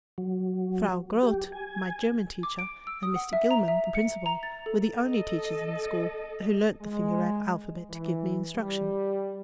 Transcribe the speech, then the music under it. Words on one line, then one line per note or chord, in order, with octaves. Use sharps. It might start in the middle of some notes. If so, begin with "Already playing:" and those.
Frau Grote, my German teacher, and Mr. Gilman, the principal, were the only teachers in the school who learned the finger alphabet to give me instruction.
F#3
G4
G#5
D6
D7
E6
D#6
F#5
E5
A#5
E5
C#7
A#5
A6
A4
A4 D#5
G#3
E3
G3